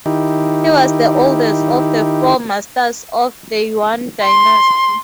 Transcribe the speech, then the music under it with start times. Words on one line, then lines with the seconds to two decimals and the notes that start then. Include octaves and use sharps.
He was the oldest of the Four Masters of the Yuan Dynasty.
0.06 D#3 D#4 E4 G4
4.23 C6